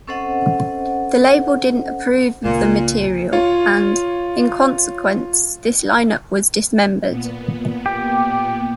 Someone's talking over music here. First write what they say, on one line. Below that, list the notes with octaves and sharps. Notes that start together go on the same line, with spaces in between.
The label didn't approve the material and, in consequence this line-up was dismembered.
C4 C#4 A4 C5 D#5 F#5
C#2 A#2
F4 C#5
A#2 B3
G4